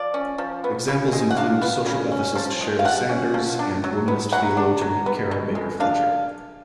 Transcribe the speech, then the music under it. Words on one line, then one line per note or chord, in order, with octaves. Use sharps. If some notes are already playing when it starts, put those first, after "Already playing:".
Examples include social ethicist Cheryl Sanders and womanist theologian Karen Baker-Fletcher.
Already playing: F3 D5
C#4
F3
B3
C#3
G#3
F#5
D4 F5
B3
C#3
C#4
F3
G#3
F5
F3 F#5
C#4
F3
D4
F#3
B3
F#3 F#5
D4
F#3
B3
B2
G#3
D4 F5